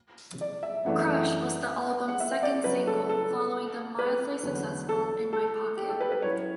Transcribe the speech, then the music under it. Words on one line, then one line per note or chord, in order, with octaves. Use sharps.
"Crush" was the album's second single following the mildly successful "In My Pocket".
D5
E5
F#2 E3 A3 D4 F#5
E5
F#5
F#5
E5
D5
C#3 F#3 C#4 F#4 B4
A4
A4
B4
E2 D3 F#3 C#4
A4
A4
G4
A4
B4
B4
F#3 C#4 E4 C#5